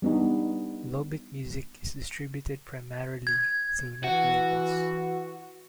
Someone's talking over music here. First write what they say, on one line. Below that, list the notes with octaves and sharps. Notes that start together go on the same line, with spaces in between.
Low-bit music is distributed primarily through net labels.
G3 B3 D4 D#4
G#6
E3 F#4